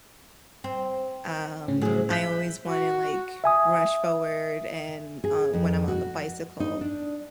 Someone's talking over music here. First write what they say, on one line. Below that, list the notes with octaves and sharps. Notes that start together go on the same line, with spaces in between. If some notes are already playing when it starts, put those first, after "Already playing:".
um, I always want to like, rush forward, and, uh, when I'm on the bicycle,
C4
A2 C#3 C#4
A2 C3 F#3 G#4
E4 F#6 G6 B6
F#4
E5 G#5 D#6
G#4
F2
F#4
D#4
D4